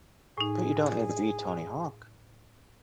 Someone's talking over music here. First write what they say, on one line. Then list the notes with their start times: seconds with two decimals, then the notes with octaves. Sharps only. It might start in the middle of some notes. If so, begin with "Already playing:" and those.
But, you don't need to be Tony Hawk.
0.38 A2 D#4 G#4